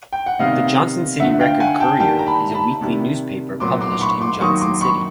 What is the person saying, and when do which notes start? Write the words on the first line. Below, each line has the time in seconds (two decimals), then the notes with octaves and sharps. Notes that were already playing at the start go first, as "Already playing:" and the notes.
The "Johnson City Record Courier" is a weekly newspaper published in Johnson City.
0.12 G5
0.26 F#5
0.39 C3 D#3 G3 B3 D#5 F5
1.20 D3 F3 A3 E5 F#5
1.40 F5 G5
1.60 F#5 G#5
1.80 G5 A5
2.00 D#3 G3 A#3 G5 A5
2.19 A#5
2.27 A5 B5
2.54 A5 B5
2.81 C3 D#3 G3
3.60 A#2 F#3 B3 C6 D6
3.81 C6 D6
3.92 D6
4.01 B5 C#6
4.21 C6 D6
4.41 D#3 F#3 A#3 C#6 D#6
4.61 C6 D6
4.81 B5 C#6